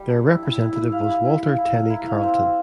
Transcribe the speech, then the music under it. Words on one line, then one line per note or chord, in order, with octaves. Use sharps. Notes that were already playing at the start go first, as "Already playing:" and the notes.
Their representative was Walter Tenney Carleton.
Already playing: G3 G4
D4
E4
E4
E4
E4
F5
E4
E4
F5
E4
A#4
E4
F5
C4
C5